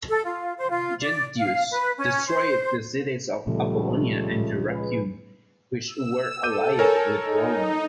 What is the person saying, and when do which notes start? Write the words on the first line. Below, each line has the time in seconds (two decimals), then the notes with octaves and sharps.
Gentius destroyed the cities of Apollonia and Dyrrhachium, which were allied with Rome.
0.09 A4
0.25 F4
0.58 C5
0.70 F4
1.02 D5
1.37 F5
1.70 B4
1.98 C#4
2.27 C5
3.47 C#2 A#2 C#3 F3 G3 A3
4.69 G#3 B4
5.86 E6
6.43 A4 D6 G6 D#7
6.79 A#4 C#5 G#5
7.21 D#4